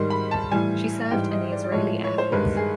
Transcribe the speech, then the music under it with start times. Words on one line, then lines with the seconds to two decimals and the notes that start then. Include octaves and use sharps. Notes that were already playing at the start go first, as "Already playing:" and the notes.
She served in the Israeli Air Force.
Already playing: G#2 D#3 G3 C6
0.10 B5
0.31 A5
0.51 A2 E3 G3 G#5
1.11 G#2 E3 G3 G5
1.31 D#5
1.52 D5
1.64 D5
1.72 A2 F3 G#3 C#5
2.04 C#5
2.18 C5
2.32 G2 D#3 G#3 B4
2.57 G#4